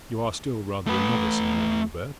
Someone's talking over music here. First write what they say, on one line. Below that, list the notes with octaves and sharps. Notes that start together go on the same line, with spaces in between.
You are still rather a novice in your new berth.
A3 B4